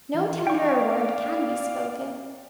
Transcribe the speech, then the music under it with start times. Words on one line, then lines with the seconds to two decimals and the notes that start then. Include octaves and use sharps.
No tenderer word can be spoken.
0.14 E3
0.47 D5 F5 G5 C#6